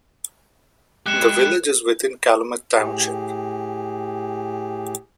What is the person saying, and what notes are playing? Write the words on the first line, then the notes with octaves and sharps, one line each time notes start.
The village is within Calumet Township.
G#3 G4 F#6 C#7 E7
A2 G4 G#4